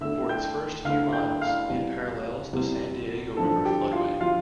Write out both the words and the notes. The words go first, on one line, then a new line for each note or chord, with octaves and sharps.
For its first few miles, it parallels the San Diego River floodway.
D2 D3 A3 E5 E6
G5 G6
D2 D3 A3 F5 F6
G5 G6
F5 F6
E2 C3 G3
E2 C3 G3
G2 D3 F3 A4 A5
G4 G5
F4 F5
D3 F3 F4 F5